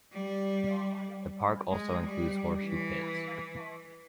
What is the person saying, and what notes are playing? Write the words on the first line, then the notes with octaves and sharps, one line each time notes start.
The park also includes horseshoe pits.
G3
G#3
G3
E3